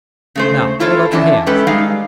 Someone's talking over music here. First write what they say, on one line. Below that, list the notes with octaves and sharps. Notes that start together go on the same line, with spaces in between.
"Now hold out your hands."
C#3 A3 C5
E4 F4 A4 C5 C#5
E2 D3 E3 C#4 D5 A5
G#3 C#4 A4 B4 G5
G3 G#3 D#4 F5